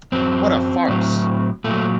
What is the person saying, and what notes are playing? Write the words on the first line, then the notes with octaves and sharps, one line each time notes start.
What a farce!
F#2 F#3 C4
A2 F#3
A#2 F#3 A3